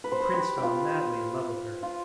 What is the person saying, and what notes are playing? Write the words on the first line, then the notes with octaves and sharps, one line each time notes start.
The prince fell madly in love with her.
B4
C5
B4
G4
G4
F4
F4